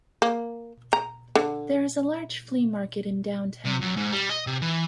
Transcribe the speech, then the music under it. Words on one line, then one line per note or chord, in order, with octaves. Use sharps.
There is a large flea market in downtown.
A#3
A#5
D3
C3
F#2
G#2
G3
D#5
C3
E3